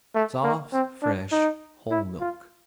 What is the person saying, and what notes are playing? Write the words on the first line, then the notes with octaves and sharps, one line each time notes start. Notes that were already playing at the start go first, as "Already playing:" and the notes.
Soft, fresh, whole milk.
A3
A#3
C4
D4
D#4
E4
F4